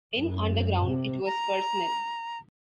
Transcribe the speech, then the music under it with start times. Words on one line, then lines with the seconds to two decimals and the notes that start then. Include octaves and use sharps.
In "Underground", it was personal.
0.17 F#2
0.84 C3
1.26 A#5